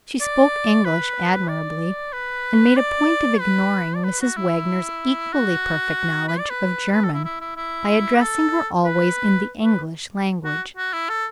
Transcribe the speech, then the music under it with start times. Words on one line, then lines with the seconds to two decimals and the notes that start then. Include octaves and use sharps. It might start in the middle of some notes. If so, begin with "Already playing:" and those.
She spoke English admirably, and made a point of ignoring Mrs. Wagner's equally perfect knowledge of German, by addressing her always in the English language.
0.21 D5
0.85 B4
1.49 D5
2.13 B4
2.76 D5
3.40 B4
3.96 D5
4.04 B4
4.21 F#4
4.37 E4
5.33 F#4
6.28 B4
6.39 D5
6.50 B4
6.92 B4
7.04 A4
7.13 E4
7.25 E4
7.41 E4
7.56 E4
8.15 F#4
8.21 A4
8.85 B4
9.64 B4
10.45 F#4
10.77 F#4
10.93 E4
11.09 A4